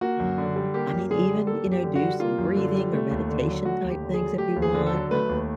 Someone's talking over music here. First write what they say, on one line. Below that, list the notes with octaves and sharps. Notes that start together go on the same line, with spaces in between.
um, I mean, even, you know, do some breathing or meditation type things if you want, um,
A#3 F#4
F#2
D3
G3
A#3 G4
F#2
D3 G#4
G3
A#3 A4
F#2
G4
D3
F#4
G3
A#3 F4
F#2
D3
G3
A3
D#2
D3
F#3
A3 F#4
D#2
G4
D3
G#4
F#3
A3 G4
D#2
G#4
D3
A4
F#3
A3 B4
D#2